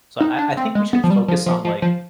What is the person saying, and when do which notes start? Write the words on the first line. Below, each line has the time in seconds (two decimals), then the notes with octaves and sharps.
So I I think we should focus on, like
0.20 D#4
0.38 D4
0.57 C4
0.75 G#3
0.93 B3
1.04 F3
1.10 G3
1.28 F3
1.46 F3
1.65 F3
1.82 F3